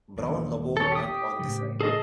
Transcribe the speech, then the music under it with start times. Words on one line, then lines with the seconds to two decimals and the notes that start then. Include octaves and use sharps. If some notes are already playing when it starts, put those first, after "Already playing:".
Brown above and on the side.
0.16 D#1 A#1 A#2
0.77 A4 C#5
0.92 G4 D#6
1.39 A2 C#3 F3
1.81 G#4 A4 D#5